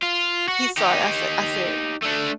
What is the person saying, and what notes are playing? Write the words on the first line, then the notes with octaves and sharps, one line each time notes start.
he saw it, I said I said
F4
F#4
D#4 G4
A3 D4